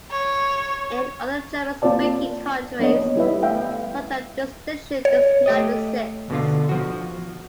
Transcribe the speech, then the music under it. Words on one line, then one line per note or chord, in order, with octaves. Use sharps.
In other German-speaking countries such a distinction does not exist.
C#5
A#3 C4 F4 C5 D5 A5
A#3 B3 D4 C#5 D#5
G3 E4 B4 E5
A3 E5 F5 G5
C#5
A3 G4 D#5
B2 D3 F4
F3 F#4